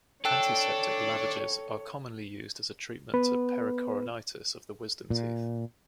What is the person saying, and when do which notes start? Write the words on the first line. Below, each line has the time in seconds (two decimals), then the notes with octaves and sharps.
Antiseptic lavages are commonly used as a treatment to pericoronitis of wisdom teeth.
0.25 D4 A4 C#5 G5 E6 F#6
3.14 B3 B4
5.10 A#2